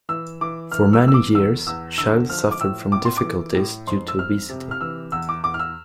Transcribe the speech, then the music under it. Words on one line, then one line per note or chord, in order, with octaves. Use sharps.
For many years, Childs suffered from difficulties due to obesity.
E3 E6
E3 D6
E3 F6
E6
E3 E6
D6
E2 E6
E2 E6
D3 E6
F3 F6
D6
A2 E6
A2 D6
C6
D6
E3
A2
F2 C6
E6
F2 F6
C3
F6
E3 E6
E2 E6
D6
E2 D6
F6
E6